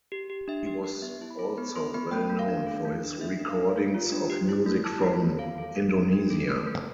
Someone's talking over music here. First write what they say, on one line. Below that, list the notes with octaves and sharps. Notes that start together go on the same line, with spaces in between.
He was also well known for his recordings of music from Indonesia.
G4
G4
D4 E5
G4
G4
B3 E5
E4
B5
A4
B3 B5
A4 C6
B3 B5
A3 G5
A3
F5
D4
A4
A3
D4
A3 E5
D4
F5
D4
A3
F4
D4
G4
E4
A3
E4 A5
G4
A3
A4 F5
A4
D4
D4
D4
A4
A3
A3